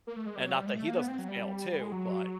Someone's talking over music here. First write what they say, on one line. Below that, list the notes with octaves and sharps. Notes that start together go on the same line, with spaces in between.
and not that he doesn't fail too, but
A#3
A3
G#3
G3
F#3
G3
G#3
A3
A#3
B3
C4
F#3
G3
G3
G#3
F#3